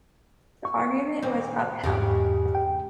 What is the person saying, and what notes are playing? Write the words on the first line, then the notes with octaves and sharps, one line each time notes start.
The argument was upheld.
C#6
D#2 A#2 C4
E2 G#2 C#3 G#3 G4
G5